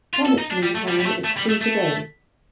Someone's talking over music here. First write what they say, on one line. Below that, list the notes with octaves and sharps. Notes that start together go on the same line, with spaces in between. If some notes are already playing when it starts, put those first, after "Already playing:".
Kenet, meantime, is free to go.
F4
A4
D#4
D4
G3
A3
G3
G3
A3
A3
G3
A3
A3